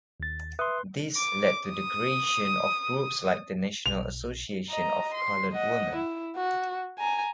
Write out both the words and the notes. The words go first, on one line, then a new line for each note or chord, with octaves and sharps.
This led to the creation of groups like the National Association of Colored Women.
D#2 A6
B4 E5 C6 D#6
D6
D#6
B1 F7
D#5 A#5
C6
D#5 F#5
E4
F#4
G#5 A#5